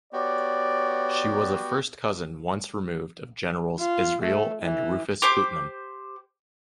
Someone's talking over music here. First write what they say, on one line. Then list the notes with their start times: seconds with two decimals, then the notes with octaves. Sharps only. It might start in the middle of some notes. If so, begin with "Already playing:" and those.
She was a first cousin once removed of Generals Israel and Rufus Putnam.
0.13 B3 F#4 G4 C#5 D5
3.79 F4
4.22 A3
4.62 E3
5.22 G4 C5 D6